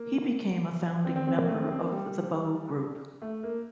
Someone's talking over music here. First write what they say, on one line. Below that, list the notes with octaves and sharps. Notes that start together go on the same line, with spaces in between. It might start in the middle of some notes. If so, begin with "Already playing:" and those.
He became a founding member of the Bow Group.
Already playing: A#3
C4
C4
C4
A#3
A3
C4
C4
A#3
G3
A3
A#3